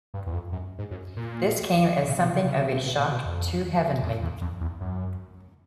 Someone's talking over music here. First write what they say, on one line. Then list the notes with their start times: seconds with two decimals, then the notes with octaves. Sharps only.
This came as something of a shock to Heavenly.
0.14 G2
0.27 E2
0.33 F2
0.52 F#2
0.79 G#2
0.91 F#2
1.17 A#2
2.08 A#2
2.21 B2
2.34 C#3
2.47 C#3
2.60 C3
2.73 C3
2.86 B2
2.99 A#2
3.12 B2
3.25 F2
4.02 F2
4.22 E2
4.41 F2
4.61 E2
4.81 F#2